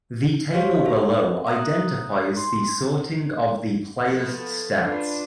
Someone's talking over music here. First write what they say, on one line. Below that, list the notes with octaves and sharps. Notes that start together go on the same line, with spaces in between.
The table below identifies the sorting of the players stats.
F#4 G4 C5 C#5 F5
A4 E5
E5 A#5 D#6 F#6
C6
F3 A3 B3 A4
D4 F4 B4